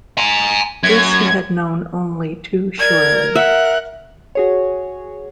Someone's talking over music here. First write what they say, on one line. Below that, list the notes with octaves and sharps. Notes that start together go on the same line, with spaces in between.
This he had known only too surely.
G#5 A#5
F#2 G#6
A#4 D5 G#6
E5 F#5 F#6
F#4 G#4 C#5